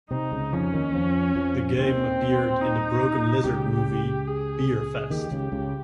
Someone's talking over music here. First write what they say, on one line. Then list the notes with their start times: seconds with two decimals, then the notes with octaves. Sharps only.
The game appeared in the Broken Lizard movie, "Beerfest".
0.11 C3 C4 D#4
0.31 C#2 C#3
0.53 F2 F3 C#4
0.74 D#2 D#3
0.94 F2 F3
1.35 F2 F3
1.77 D#2 D#3 C4
2.61 D#4
3.44 C#2 C#3 G4
4.27 G#4
5.10 D#2 D#3 G4
5.31 C#2 C#3
5.52 C#2 C#3